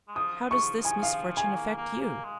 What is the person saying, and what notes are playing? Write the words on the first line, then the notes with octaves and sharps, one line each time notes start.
How does this misfortune affect you?
G#3
F3 D#6
C#6
G#5
F5
G#5
A#3
A#3
A#3
G#3